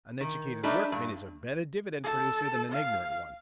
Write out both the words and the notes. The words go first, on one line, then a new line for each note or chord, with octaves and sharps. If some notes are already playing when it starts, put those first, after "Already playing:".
An educated workman is a better dividend-producer than an ignorant one.
D#3
G3 A3 D4 D#4
G2
A4
F5